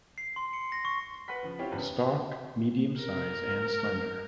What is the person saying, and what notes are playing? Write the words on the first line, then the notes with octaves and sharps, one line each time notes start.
Stalk Medium size and slender.
C7
C6
C#7
A#6
C#6
B4 F#5 B5 B6
C#3 F3
C4 E4 F4 G4 C#5 G5
G#1 E2 C#3 B4
A#4